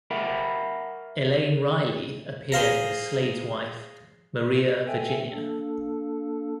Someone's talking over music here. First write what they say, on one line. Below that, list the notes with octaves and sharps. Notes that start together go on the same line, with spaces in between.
Elaine Riley appeared as Slade's wife, Maria Virginia.
A#4 E5 F#5 B5
G#4 C5 F5 A#5
A4 E5 G5 G#5
A#3 D4 A4